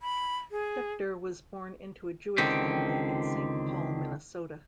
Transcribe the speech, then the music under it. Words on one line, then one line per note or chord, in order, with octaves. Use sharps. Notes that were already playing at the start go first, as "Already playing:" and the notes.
Decter was born into a Jewish family in Saint Paul, Minnesota.
B5
G#4
C#2 D3 D#3 C4 G4